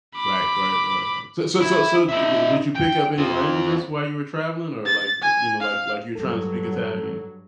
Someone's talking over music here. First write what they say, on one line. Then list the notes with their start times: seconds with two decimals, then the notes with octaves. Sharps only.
Right, right, right, right. So it so so so did did did you pick up any languages while you were traveling, or, like, you know, like like you're tryna speak Italian?
0.16 B5 D6
1.60 E4
2.09 D#4 E5
2.75 G5
3.18 C4 F4
4.86 A6
5.22 G#5
5.60 F5
6.17 G2 F#3 A4